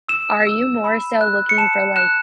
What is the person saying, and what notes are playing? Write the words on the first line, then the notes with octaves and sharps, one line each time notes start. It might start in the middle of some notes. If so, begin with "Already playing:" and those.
are you more so looking for, like,
E6 E7
E6
B5
F#6
C#7
A5 E7
F#6 E7